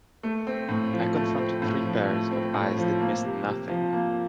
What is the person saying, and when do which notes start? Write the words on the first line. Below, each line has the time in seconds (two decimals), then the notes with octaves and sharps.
I confronted three pairs of eyes that missed nothing.
0.23 A3
0.47 C4
0.69 A2
0.92 F3
1.16 A3
1.38 C4
1.62 A2
1.84 F3
2.08 A3
2.31 C4
2.54 A2
2.77 F3
3.00 A#3
3.23 C3
3.46 C3
3.68 F3
3.92 A#3